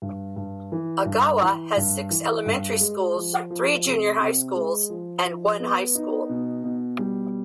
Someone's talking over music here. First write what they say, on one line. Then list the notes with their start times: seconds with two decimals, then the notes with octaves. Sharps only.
Ogawa has six elementary schools, three junior high schools, and one high school.
0.02 G2
0.36 G2
0.72 E3
1.06 G2
1.42 E3
1.77 G2
2.11 E3
2.46 G2
2.81 G#3
3.16 F3
3.50 F3
3.85 C3
4.20 C3
4.55 G#3
4.90 F3
5.25 F3
5.60 B3
5.95 D#4
6.29 B2
6.64 B2
6.99 G3